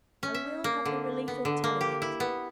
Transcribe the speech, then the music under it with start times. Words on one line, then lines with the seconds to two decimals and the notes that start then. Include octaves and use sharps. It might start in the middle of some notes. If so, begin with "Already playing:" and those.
I will have the relief of telling it.
0.23 C#4
0.35 E5
0.64 A#3
0.85 D3
1.28 B3
1.45 D3
1.64 A#3
1.81 G4
2.02 E4
2.20 B3